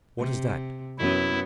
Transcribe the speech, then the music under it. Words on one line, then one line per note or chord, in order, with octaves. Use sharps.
"What is that?"
C3
F#2 B3 E4